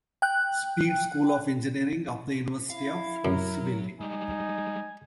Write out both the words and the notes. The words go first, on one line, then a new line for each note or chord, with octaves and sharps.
Speed School of Engineering of the University of Louisville.
G5 F#6
E4 F5
F#2 F#3 A#4
G3 G#3 D#4 G#5